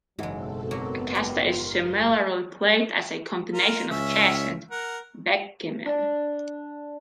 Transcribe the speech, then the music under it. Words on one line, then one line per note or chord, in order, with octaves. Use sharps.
Accasta is similarly played as a combination of Chess and Backgammon.
F#1 G#2 B2 E3 F#3 G#3 C4 A4
F#3 A#3 B3
G3 F4 A#4 D5 D#5 C6
F4 A#4
C#2 C#4 E5
A#4 F#5
D4